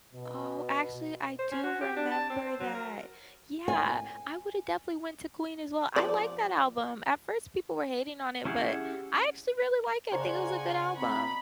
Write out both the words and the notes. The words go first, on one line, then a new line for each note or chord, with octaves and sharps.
Oh, actually, I do remember that. Yeah, I would've definitely went to Queen as well I like that album, at first, people were hating on it, but I actually really like it, think it was a good album.
B2
C5
C#4
F#4
G4
D4
A5
C4
C5
F#3
A#4
G#5
F3 D5
C#4 E4 G4 G#4 F#5
C#3 D4 F4 A#4 C5 C#5 F#5 G#5
C4 D#5 A#5 B5